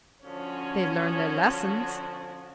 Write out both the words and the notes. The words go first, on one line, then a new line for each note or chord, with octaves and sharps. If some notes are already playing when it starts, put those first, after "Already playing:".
"They learn their lessons."
D3 F3 C#4 F#4